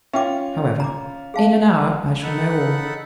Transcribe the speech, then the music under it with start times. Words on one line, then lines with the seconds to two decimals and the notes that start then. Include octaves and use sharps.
However, in an hour I shall know all.
0.13 C#4 F4 E5 G5 D6
0.80 A#5 D6
1.34 G#4 F5 A5
2.23 D#4 A4 F#5 B5